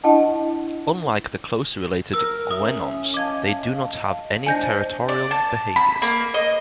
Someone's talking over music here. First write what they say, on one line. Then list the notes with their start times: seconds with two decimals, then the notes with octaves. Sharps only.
Unlike the closely related guenons, they do not have any territorial behaviors.
0.04 D4 E4 D#5 F#5 A5
2.14 A#4 E6
2.51 C#4 E5 D#6
3.14 D#5 F5 A5 D6 G#6
4.46 D4 C5 D#5 G#5 G6 A#6
5.09 D5
5.31 A5
5.76 B5
6.02 A#3
6.34 D#5